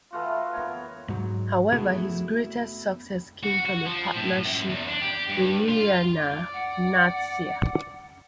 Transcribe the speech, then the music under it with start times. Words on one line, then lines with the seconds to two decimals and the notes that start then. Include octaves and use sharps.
However, his greatest success came from a partnership with Lilyana Natsir.
0.12 E3 A3 F4 F#4
0.53 B3 A#4 C#5
1.09 G#2 F#3
1.72 A3 B3 E4 F#4 G#4
3.43 F#4
3.65 F#4
3.86 F3
4.15 A2
4.45 F#2
4.69 E2
4.88 D4
5.02 G4
5.30 G2
5.68 F4
6.16 D5
6.53 F#5